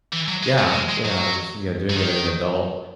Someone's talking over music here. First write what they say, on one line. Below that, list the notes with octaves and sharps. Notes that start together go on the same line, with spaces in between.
Yeah. Yeah, it's you know, doing it as an adult,
E3
F#3
G#3
A3
F#3
G#3
G#3
F#3
E3
D#3